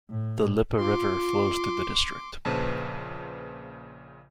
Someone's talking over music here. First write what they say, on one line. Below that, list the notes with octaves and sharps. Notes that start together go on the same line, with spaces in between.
The Lippe River flows through the district.
A2
F4 C6 D6
A#1 A#2 C#3 B4 C5 A5